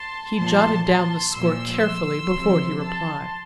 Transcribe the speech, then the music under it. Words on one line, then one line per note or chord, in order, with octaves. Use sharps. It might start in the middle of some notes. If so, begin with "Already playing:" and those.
He jotted down the score carefully before he replied.
Already playing: A5 C6
A#2 F3 A5 C6
A5 C6
A#2 F3 C6 E6
C3 F3
A5 C6